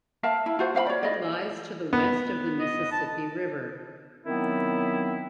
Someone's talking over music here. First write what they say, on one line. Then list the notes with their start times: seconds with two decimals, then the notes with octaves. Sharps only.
It lies to the west of the Mississippi River.
0.23 A#4 E5 F5 A5
0.46 E4
0.59 F4 F#4 C5
0.75 C5 F5 F#5 B5
0.87 C#5 D5
1.03 D5 D#5
1.93 B3
2.60 D#5
2.92 A5
4.25 D#3 F#3 B3 C4 E4